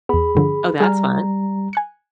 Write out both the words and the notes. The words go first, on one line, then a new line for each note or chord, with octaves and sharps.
Oh, that's fun.
E2 B3 G#4 B5
G2 D3 F3
G3 G#4 G#5 A#5 F6
G#5 F#6 C#7